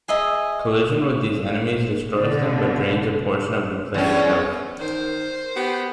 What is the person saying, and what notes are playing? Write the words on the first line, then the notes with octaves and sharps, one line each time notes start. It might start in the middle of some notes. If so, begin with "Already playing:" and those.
Collision with these enemies destroys them but drains a portion of the player's health.
G#4 D#5 E5 A#5
B2 D3
E2 C#4
D#3 A#4 C5
B3 G4